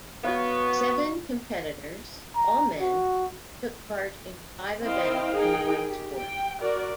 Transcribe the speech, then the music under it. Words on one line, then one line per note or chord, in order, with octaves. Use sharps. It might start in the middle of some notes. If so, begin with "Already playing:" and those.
Seven competitors, all men, took part in five events in one sport.
B3 F#4 C#5 F5
A#5
F#4
C4 E4 C5 D#5 F5 G5
D#4 G#4 A#4 G5
G4
G5
F#4 A#4 D5